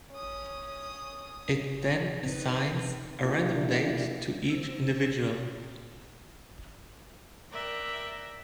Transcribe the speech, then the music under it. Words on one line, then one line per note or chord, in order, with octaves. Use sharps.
It then assigns a random date to each individual.
C#4 D#6
C#3 C4 D#4 B4
A#3 D4 E4 F4 G4
C4 E6
A#4 D5 E5 G5 F#6